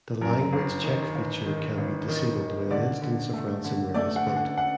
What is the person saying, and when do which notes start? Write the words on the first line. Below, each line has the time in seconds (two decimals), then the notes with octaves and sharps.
The language check feature can be disabled when an instance of ransomware is built.
0.21 F#2 A#4
0.53 G1
0.84 D#3
1.15 G1
1.46 D#3
1.78 G1
2.08 D#3
2.40 D#3
2.71 D3 D5
3.02 D3
3.33 A3
3.64 D3
3.94 A3 D5
4.16 F#5
4.26 D3
4.37 F#5
4.58 F#5